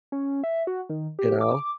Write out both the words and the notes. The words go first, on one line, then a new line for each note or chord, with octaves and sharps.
You know.
C#4
E5
F#4
D#3
G4
D6